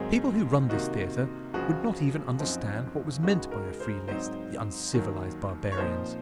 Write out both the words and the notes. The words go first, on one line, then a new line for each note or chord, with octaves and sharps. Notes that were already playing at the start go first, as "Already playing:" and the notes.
But the people who run this theatre would not even understand what was meant by a 'free list,' the uncivilised barbarians!
Already playing: G#2 D#3 F#3 C4 D#4 G#4
C3 D#3 A#3 D#4 F#4
C#2 C#3 F3 F#4
F#2 F3 C4 D#4
C#2 C#3 G#3 D#4 F#4
A#4
C5
G#2 F#3 C4 D#4 C5
D#2 D#3 F#3
C#5
A#2 F3 C4 D#4 C5